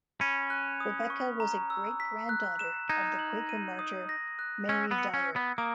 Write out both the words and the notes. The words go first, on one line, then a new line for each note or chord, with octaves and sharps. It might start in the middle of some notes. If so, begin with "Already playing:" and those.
Rebecca was a great granddaughter of the Quaker martyr Mary Dyer.
C#4 B5
F#6
D#6
C#6
A#5
E6
B6
F#6
E7
D#4 G#6
F#7
D#7
D#6
A#6
F#6
C#4 E6
B3
C#7
C#4
G#6
B3
A#3 D#6